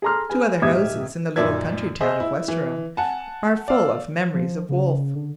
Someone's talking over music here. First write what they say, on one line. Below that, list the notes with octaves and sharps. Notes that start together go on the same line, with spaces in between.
Two other houses in the little country town of Westerham are full of memories of Wolfe.
G#4 A4 A#5 C6 F6
G#4 B4 G#5
D#1 G#2 G4 E5 D#6 G#6
F#2 A#2 D#4 D5 E5 G#6
G#4 C5 D#5 E5
E4
E3
F#5 G#5 A5
D5 F5 E6
F3
C#3
D3